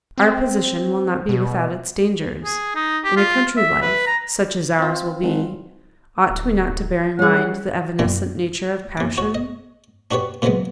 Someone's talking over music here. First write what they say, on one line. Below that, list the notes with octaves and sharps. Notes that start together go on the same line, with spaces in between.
Our position will not be without its dangers; in a country life, such as ours will be, ought we not to bear in mind the evanescent nature of passion?
C4
B2
G#4
D#4
G4
F4
E5
B4
A#5
C4 F4
G#1
D1
G3 C#4 G#4 F#5
F#2 A#2 D4 G5
D#2 D6
F#4 C#5
D#5
D4 F#4 G4 B4 C#5
A#2 C#3 E3 F#3 G#3 B3